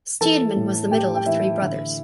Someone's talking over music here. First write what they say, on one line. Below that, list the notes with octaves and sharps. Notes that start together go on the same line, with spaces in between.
Steedman was the middle of three brothers.
E3 A4 A5
A2
A2 G4 G5
G5
E3 E4 E5
D3